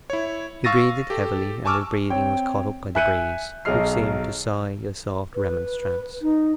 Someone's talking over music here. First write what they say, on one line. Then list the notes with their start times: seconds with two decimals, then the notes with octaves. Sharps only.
He breathed heavily, and his breathing was caught up by the breeze, which seemed to sigh a soft remonstrance.
0.10 E4 C#5
0.64 F5 C#6 E6 A6 A#6 D#7
1.10 G4 A4
1.65 G#5 A5 C#6 D6 E6 F6
2.10 C4 C#5 G5
2.95 E5 G#5 F#6 G6 C#7 D#7
3.65 B1 F#3 G#4 D#5 F6 C7
5.35 B4
6.22 D#4